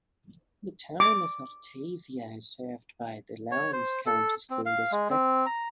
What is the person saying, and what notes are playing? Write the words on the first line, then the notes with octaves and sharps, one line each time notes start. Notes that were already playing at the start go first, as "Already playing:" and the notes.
The Town of Artesia is served by the Lowndes County School District.
D6
C#5
C5
A4
C4
F5
G#3
C4
A#5